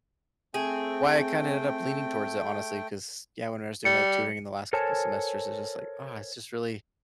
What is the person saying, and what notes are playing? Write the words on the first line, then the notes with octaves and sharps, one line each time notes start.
why I kinda ended up leaning towards it, honestly 'cause, yeah, when I was doing that tutoring in the last couple semesters, it's just like, "Oh," it's just really
A3 C4 G#4 G5
G3 C#7
A4 A#4 C5 C#5 G#5 A5